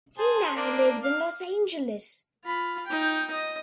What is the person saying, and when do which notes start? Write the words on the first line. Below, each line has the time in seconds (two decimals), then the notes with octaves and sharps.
He now lives in Los Angeles.
0.18 G#4 C5 A5
0.56 A#3 D4
1.04 F5
2.45 F4 B5
2.86 D#4 G5
3.31 D#5